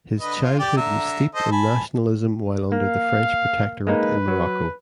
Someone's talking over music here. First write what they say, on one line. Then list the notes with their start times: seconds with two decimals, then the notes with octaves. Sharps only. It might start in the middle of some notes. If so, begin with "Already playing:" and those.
His childhood was steeped in nationalism while under the French Protectorate in Morocco.
0.20 D3 B4 D#5
0.43 F4
0.59 G4 D5 G5
0.77 D3 E5 A#5
1.35 A4 C5 D#5
1.52 G#5 A5 B5
2.72 A#3 F5
3.87 G#3 A#3 D#4 B4
4.28 F#3